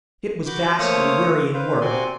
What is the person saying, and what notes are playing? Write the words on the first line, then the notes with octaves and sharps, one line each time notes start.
It was vastly wearying work.
F#4 B5 D6 G6
A3 A#3 C5 C#5 F5 D#6
B4 C5 F5
C3 C4 F#4 D5 G#5 C6